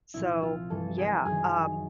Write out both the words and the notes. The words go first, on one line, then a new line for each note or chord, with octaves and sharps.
So, yeah, um
C2 A#2 F3 E4
F4
G2 E3 A4
G#4
F#2 D#3 G#4